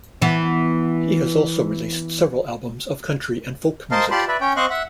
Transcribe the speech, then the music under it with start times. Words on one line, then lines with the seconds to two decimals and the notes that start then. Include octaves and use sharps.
He has also released several albums of country and folk music.
0.22 E3 B3
3.91 A#4 C5 D#5 F5 A5 C6
4.11 F4 G4 D5 A5 B5 C6
4.28 B4 D5 E5
4.41 C#4 C#5 G5
4.57 C4 C5 D#5 F5 C#6 F#6
4.70 E5 F#5